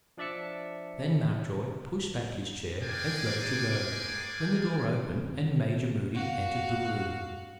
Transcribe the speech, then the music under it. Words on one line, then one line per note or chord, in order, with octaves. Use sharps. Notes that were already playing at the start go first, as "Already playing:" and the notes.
Then Mountjoy pushed back his chair as though to go, when the door opened and Major Moody entered the room.
F3 D4 D5 E5 A5 C#7
G#3 A#3 D5 G5 G#5
F#4 F5